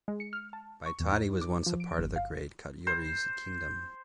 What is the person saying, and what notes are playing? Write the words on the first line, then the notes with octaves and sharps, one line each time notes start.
Baitadi was once a part of the Great Katyuri's Kingdom.
G#3
C#7
F6
A5
C#6
E2
D#4
D6
F3
D7
G1
F5
C5